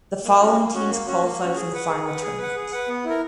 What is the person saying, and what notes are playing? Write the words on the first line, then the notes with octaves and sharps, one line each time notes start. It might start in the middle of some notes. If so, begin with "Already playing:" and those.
The following teams qualified for the final tournament.
A#3
C#4 F#4
A#3
C#4 F#4
A#3
C#4 F#4
A#3
C#4 F#4
G#4
B4 F#5
G#4
B4 F#5
G#4
B4 F#5
G#4
B4 F#5
B3
E4 A#4